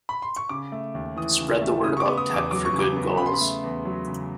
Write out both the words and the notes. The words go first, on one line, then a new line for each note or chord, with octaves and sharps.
Spread the word about tech for good goals.
B5
C6
C#6
C#3 D6
A3
D#2
E3 D#6
C#3
A3
C#3 D#6
C#6
D6
B3
D#6
E2 D6
F#3 D6
C#6
C#3
D6
B3
C#3 B5
C6
B5
A3
E2
F#3
C#3